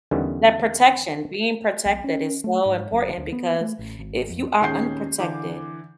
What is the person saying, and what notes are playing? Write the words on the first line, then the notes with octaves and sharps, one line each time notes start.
That protection, being protected is so important, because if you are unprotected,
E2 D3 D#3 G3 B3 C#4
B1
C#4
A3
G#2
F#1
D2
B3
A3
A1
G#1
F2
D#1 D#3 C#4 G#4 G6 C7
D3 E3 D6